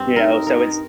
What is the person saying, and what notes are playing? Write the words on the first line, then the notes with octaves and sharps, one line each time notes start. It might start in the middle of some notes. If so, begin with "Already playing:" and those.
you know, so it's
Already playing: G2 C4
D#4 A#4
A#4